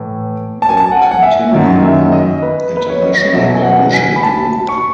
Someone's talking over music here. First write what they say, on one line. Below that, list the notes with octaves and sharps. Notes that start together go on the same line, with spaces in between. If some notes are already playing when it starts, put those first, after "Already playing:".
The Continuum International Publishing Group.
Already playing: A2 E3
A5
G#5
A5
F#5
G#5
F#5
E5
F#2 D#3 F#3
E5
D#5
B4
B4
C#5
D#5
C#5
D#5
E2 B2 F#3 E5
G#5
F#5
G#5
B5
A5
C#6